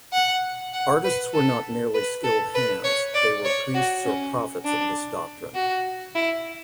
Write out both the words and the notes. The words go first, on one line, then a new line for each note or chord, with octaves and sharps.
Artists were not merely skilled hands; they were priests or prophets of this doctrine.
F#5
F#5
B4
A4
B4
A4
B4
C#5
D5
C#5
F#4
C#4
D4
F#4
E4